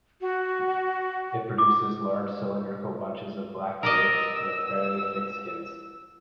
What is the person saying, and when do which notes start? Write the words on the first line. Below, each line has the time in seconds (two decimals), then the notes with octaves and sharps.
It produces large cylindrical bunches of black grapes with fairly thick skins.
0.21 F#4
1.58 D6
3.83 A#4 D5 D#5 E6